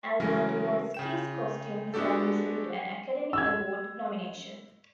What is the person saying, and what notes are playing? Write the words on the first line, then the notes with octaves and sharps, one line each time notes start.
Albert Wolsky's costume design received an Academy Award nomination.
C#3 E3 F#3 G#3 C#4 A#4
C#3 G5 E7
G#3 B3 D4 F#4 G4 A4
E6 G#6